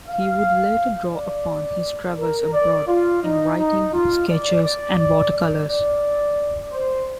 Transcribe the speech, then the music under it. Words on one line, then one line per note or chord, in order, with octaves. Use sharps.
He would later draw upon his travels abroad in writings, sketches, and watercolors.
F5
D5
A#4
D5
F4
D#4
D#4
F4
D5
D5
D5
D5
D5
C5